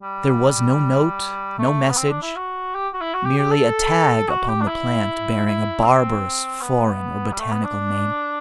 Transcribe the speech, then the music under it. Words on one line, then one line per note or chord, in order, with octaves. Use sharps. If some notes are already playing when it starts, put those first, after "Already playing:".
There was no note, no message, merely a tag upon the plant bearing a barbarous foreign or botanical name.
G3
A3
B3
C4
D4
E4
F#4
G4
F#4
E4
F#4
G4
G4
A4
F#4
G4
D4
E4
E4
C4
B3
G3
A3
B3
D4